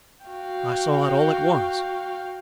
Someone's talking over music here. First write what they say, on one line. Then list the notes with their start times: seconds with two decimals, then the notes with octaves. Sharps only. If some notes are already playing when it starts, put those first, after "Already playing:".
I saw it all at once.
0.26 F#4 F5 G5